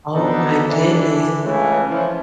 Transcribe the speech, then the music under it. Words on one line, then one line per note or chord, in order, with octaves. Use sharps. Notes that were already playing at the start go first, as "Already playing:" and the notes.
Oh my goodness.
F2 B2 B3 D4 D#4 A4
E3 D4 E4
C#2 C#3 E3 A3 C#4 E4
E3 F3 C#4